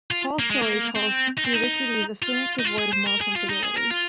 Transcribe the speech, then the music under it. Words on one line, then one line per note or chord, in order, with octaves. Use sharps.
Paul Shorey calls Thucydides "a cynic devoid of moral sensibility".
F4
A#3
G#3
A#3
C4
D#4
C4
D#4
F4
D#4
F4
G#4
C5
A#4
G#4
F4
D#4
G#4
A#4
F4